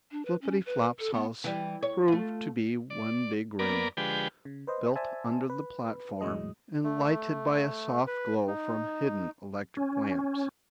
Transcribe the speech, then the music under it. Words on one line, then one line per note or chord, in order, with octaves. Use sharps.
Flippityflop's house proved to be one big room, built under the platform, and lighted by a soft glow from hidden electric lamps.
D4
B4
C#4
B4
A4
B3
E3 G3
C#5
A3 F4
D5
A#3 B3 A#4 D5
D3 F3 G#3 G4 B4 G5
C#3
B4 C5 D#5
C5 D5 E5 G#5 A5
B4
E2 A2 F#3 G#3 D#5
A3
B4
D#4
C#4